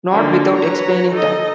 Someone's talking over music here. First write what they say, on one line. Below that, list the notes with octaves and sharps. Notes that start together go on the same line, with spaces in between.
Not without explaining time.
D3 F3 A#3 D#4
B4 C#5 A#5
D#4 A4 D#5